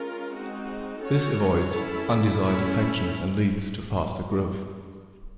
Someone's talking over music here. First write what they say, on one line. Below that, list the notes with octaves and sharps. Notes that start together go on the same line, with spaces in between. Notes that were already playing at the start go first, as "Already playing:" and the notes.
This avoids undesired infections and leads to faster growth.
Already playing: G#3 C#4 F4 A#4
G#3 C4 D#4 F#4
C#4 F#4 A4 C#5
C#4 E4 A4
C#4 E4 A4